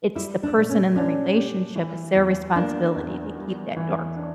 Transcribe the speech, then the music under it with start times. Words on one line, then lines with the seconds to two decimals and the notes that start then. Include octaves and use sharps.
it's the person in the relationship, it's their responsibility to keep that door closed
0.15 G3 E4
0.43 D4
0.56 A#2
0.70 C#4
0.96 C#4 D4
1.36 G4
1.76 E3
2.16 E2
2.56 A#3 D4
2.96 E2
3.36 G3
3.76 E3
4.16 D4